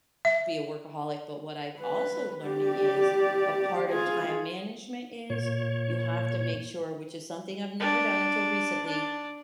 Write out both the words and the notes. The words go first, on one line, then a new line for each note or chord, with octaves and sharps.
be a workaholic, but what I've also learning is a part of time management is you have to make sure, which is something I've never done until recently,
E5
B4
G4 D5
F4 G#4
A#2 C#5
D4
D4